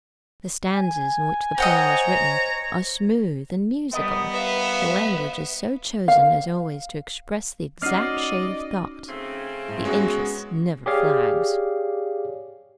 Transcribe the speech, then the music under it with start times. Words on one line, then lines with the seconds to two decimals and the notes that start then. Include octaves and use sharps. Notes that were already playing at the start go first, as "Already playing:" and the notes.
The stanzas in which the poem is written are smooth and musical, the language is so chosen as always to express the exact shade of thought, the interest never flags.
0.74 G#5
1.58 C5 C#5 D#5 F#5 G5 A#5
3.93 G3 B3 A#4 D#5
4.32 B4 E5 F5
6.08 F5
7.82 C#4 D#4 F#4 D5 D#5 F6 C7
9.08 C#3 A3 C4
9.68 A2
9.85 G#3 B3 C#4 F#4
10.86 G4 G#4 C#5 D5 F5